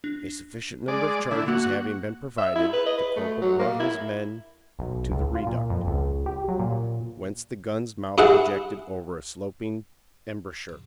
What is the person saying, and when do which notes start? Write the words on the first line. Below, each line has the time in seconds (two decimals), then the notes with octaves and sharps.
A sufficient number of charges having been provided, the corporal brought his men to the reduct, whence the gun's mouth projected over a sloping embrasure.
0.04 D4
0.88 G#3 D5
1.31 D3 E4 D6
1.48 A#3 F#4
2.38 E5
2.56 E4
2.73 B4
2.86 D#5
2.98 B4
3.17 A3
3.42 F#3
3.59 A#3
3.80 E4
4.79 B1
5.11 C#2
5.35 F4
5.46 A#2
5.70 F2
5.87 C#2
6.26 G4
6.48 F#3
6.60 A#2
8.18 G2 E4 G#4 F#5